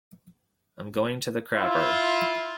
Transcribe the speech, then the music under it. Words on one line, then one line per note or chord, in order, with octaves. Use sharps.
"I'm going to the crapper".
E4 F4